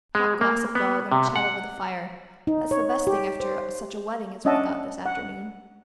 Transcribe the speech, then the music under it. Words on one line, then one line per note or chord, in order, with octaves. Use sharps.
Hot glass of grog and a chat over the fire: that's the best thing after such a wetting as we got this afternoon.
G#3
A#3
B3
C3
F#5
D#4
C#5
G4
C5
C#4 D4 D#5 E5 F#5 A5
F#5